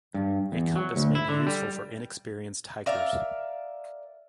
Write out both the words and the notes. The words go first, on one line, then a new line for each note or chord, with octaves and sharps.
A compass may be useful for inexperienced hikers.
G2
E2
F#3
D2
E4
D3
G3
A#4 D5 E5 F5